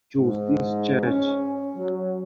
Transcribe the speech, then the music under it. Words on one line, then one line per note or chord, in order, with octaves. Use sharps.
Jooste’s church.
G#2
C#4
F#3